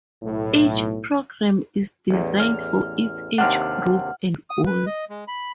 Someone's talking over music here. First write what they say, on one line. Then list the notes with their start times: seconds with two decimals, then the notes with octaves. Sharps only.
Each program is designed for its age group and goals.
0.23 B1 A2
2.10 A1 E2
2.40 F6
3.38 D#2 C3 D4 F#5 F6
4.50 D#6
4.66 B4
4.86 D#5
5.10 G#3
5.28 B5